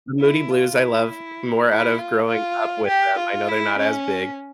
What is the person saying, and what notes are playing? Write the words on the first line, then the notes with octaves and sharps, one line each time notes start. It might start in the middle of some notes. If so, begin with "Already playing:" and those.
Moody Blues, I love, more out of growing up with them. I know they're not as big,
E4
F4
E4
E4
F4
F4
G4
F4
E4
C#4